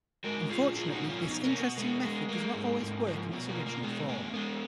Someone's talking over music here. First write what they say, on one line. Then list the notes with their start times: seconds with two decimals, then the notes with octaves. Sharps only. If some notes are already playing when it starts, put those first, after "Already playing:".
Unfortunately this interesting method does not always work in its original form.
0.24 G#3 F#4 A#4
0.50 A#2 F4 G#4
0.75 A#2 F4 G#4
0.92 D#4 F#4
1.02 F3
1.09 C#4 F4
1.27 B2 B3 D#4
1.44 A#3 C#4
1.52 B2
1.61 B3
1.77 G#3 B3
2.03 G#3
2.29 G#3 A#3
2.54 G#2
2.80 G#2
3.07 F3
3.32 B2 B3
3.48 A#3
3.58 B2
3.66 A#3
3.82 G#3 B3
4.09 G#3 A#3 C#4
4.34 G#3 B3